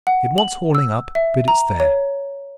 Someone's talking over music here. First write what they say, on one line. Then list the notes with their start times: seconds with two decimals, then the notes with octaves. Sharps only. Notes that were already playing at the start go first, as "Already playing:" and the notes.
It wants hauling up, but it's there.
0.07 F#5
0.38 F#7
0.75 E6
1.15 E5
1.48 A#5
1.80 C#5